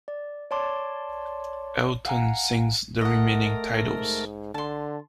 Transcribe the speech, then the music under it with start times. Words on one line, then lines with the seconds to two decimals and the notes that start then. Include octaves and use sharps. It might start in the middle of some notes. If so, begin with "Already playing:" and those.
Elton sings the remaining titles.
0.08 D5
0.51 C#5 D5 A5 C6 D6
2.06 F5 F#5 G#5 A#5
3.01 A3 A#4 D#5 F#5
3.75 G#2
4.54 D3 A5 C6